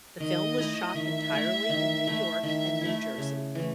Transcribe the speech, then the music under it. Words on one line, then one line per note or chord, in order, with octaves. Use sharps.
The film was shot entirely in New York and New Jersey.
D#3 D#5
A3 E4
D#3 E5
A3 E4
D#3
A3 E4
D#3 E5
A3 E4
C#3
E3 A3